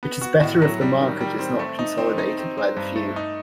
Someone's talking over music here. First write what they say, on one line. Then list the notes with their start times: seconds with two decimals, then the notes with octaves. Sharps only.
It is better if the market is not consolidated by the few.
0.03 B3
0.21 F#4
0.41 A2
0.62 F#3
0.81 G3
1.00 D#3
1.20 G3
1.39 C4
1.59 A3
1.79 D#4
1.98 C4
2.18 D#4
2.38 C4
2.58 C4
2.77 G2
2.96 A3
3.16 D#4